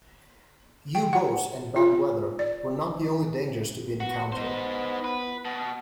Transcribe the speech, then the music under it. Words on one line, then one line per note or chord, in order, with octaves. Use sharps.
U-boats and bad weather were not the only dangers to be encountered.
G5
F#5
F4
D5
B3 F#4
B3 D#4 C5
B4
B2